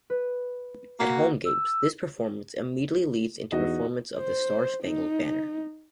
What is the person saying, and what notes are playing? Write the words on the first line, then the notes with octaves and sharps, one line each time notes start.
At home games, this performance immediately leads into performance of The Star-Spangled Banner.
B4
A#3 F#4 G#6
E6
E2 D#4 F#4 D#5
C5
D#4